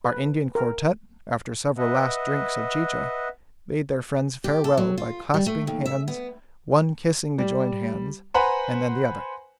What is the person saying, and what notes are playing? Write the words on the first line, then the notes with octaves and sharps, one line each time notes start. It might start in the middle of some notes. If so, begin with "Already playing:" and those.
Our Indian quartet, after several last drinks of chicha, bade their friends farewell by clasping hands, one kissing the joined hands, and then the other.
B4
A#4
B4 D#5 E5 F#5
G4
A4
F#3
F4
G3
A3
D#2
E5
B3
G3
B4 C5 F#5 G#5 A#5 B5